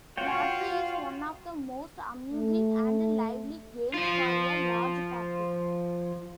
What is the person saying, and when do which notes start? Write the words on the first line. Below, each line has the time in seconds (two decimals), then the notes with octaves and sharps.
Lottery is one of the most amusing and lively games for a large party.
0.18 F4 F#4 C#5 F5 G5
2.32 A3
3.94 F3 F4